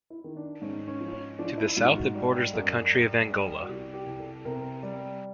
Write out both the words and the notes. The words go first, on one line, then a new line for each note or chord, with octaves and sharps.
To the south it borders the country of Angola.
E4
D#3
D4
G#2 C#4
C#4
F3
C#4
F3 D4
E4
G#2 F4
F#4
G3
F#2
G3
G3
F#4
C2 G4
G4
C2
A4
C3 A#4
G3